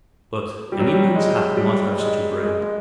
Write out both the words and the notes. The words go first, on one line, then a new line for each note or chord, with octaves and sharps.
But any man's hat might have such a break.
G3
F#3
G3
G#3
G3
G#3
G#3
G#3